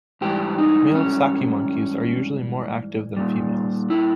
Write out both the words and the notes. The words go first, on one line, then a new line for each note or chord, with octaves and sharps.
Male saki monkeys are usually more active than females.
G#2 E3 G3 G4
D#4
C#4
A#2 G3
E4